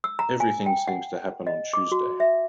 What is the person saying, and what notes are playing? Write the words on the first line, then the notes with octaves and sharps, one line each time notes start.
Everything seems to happen on Tuesday.
E6
A#5
G#5
G5
F#5
D#5
D6
F#4
E5